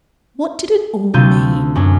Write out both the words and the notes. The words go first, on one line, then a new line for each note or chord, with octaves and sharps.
What did it all mean?
D2 C3 A3 F4 G6 D#7
F#2 F#3 D4